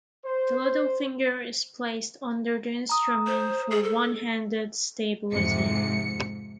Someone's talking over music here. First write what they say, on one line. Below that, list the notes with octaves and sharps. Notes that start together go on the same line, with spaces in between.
The little finger is placed under the instrument for "one-handed" stability.
C5
A#5 D#6
C5
G#4
A4
F2 G#2 C3 C#7